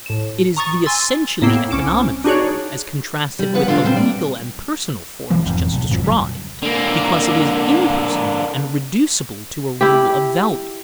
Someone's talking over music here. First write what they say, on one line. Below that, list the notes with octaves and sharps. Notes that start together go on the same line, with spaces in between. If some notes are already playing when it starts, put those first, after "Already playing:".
It is the essentially economic form, as contrasted with the legal and personal forms just described, because it is impersonal and reducible to a rule of value.
A2 E7
A#5 C#6 D#6 A6
G#5 C6 E6 A6
A2 A#3 B3 E4 G5 C7
C2 C#4 D6 D7 E7
D4 D#4 F#4 G#4 C#5 D5
G3
F2 B3 B4 F#5
D2 D3 D4 F4 D5
A#2 G3 C4
D5
B1 E3 F#3 G#3
E1 F2 G#2
B1
G#1 F2 F3 F#3
F#1 B1 B2 G3
D3 A#3
E4 G4